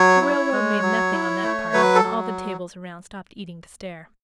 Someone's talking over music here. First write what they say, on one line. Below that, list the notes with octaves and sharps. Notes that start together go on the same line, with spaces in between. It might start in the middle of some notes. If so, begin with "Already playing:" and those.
The railroad made nothing on that party, and all the tables around stopped eating to stare.
Already playing: F#3 C#5
E4
G#3
F#3
E4
A3
F#3 B4
A4
F#3